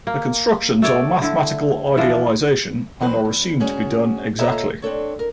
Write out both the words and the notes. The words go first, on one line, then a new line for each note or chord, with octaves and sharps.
The constructions are a mathematical idealization and are assumed to be done exactly.
A#3
A3 A4 C#5 D5
D3 E4
E3 F3 D4
E3 F#3 C4 B4 C5
E2
D2 G#2 C#4 F#4 G#4
A#2 A4 C#5 D#5 E5 A#5
C4 D4 A4 C#5
A#4